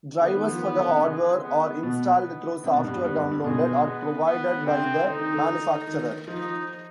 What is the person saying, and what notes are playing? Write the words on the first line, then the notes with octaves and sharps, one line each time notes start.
Drivers for the hardware are installed through software downloaded or provided by the manufacturer.
D3 B3
D#3
F3
D#3 B3
D3
C3
G#3
B3
B2 B3
C3 B3
B2
G2
G2
F2
G2
B2 G#3
B3
B3
D3
C3 C4
D3 D#4
D#3
D3
D#3
F3 D#4